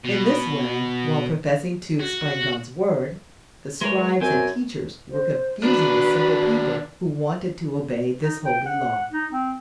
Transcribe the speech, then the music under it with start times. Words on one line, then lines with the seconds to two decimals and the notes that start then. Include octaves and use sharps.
In this way, while professing to explain God's Word, the scribes and teachers were confusing the simple people who wanted to obey this Holy Law.
0.04 B2
2.00 F#4
3.81 E3 G#3 A#4 C#5
4.21 F#2 C4 G#5
5.11 C5
5.63 D#3 D4 F#4 B4
8.22 D#4
8.45 G5
8.66 F#5
9.12 D#4
9.32 C4